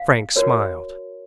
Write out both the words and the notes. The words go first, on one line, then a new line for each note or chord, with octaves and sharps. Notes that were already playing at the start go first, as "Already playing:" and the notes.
Frank smiled.
Already playing: F5
F#4 A#4 C#5